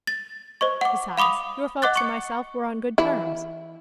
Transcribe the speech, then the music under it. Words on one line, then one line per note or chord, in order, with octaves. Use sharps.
Besides, your folks and myself were on good terms.
A6
C5 D#5 C#6
F#5 D6
F5 B5 D6 D#6 F7
D#5 F#5 D6 F#6 A6
C#6 C#7
E3 E4